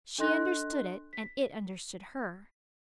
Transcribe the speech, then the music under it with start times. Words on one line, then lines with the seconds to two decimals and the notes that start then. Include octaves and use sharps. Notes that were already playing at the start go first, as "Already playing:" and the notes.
She understood it, and it understood her.
0.18 D4 A4 D#5 C6 F#6 A#6
1.13 B6